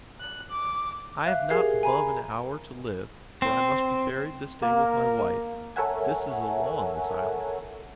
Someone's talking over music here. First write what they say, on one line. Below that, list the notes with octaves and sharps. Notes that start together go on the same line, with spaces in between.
I have not above an hour to live, for I must be buried this day with my wife. This is a law in this island.
F#6
D6
E5 F5 F#6
G4 G#4 A#4 G#5 G#6 C7
G#5 A#5 B5
C4
A#3 A#4
A4 A#4 C#5 E5 F#5 G#5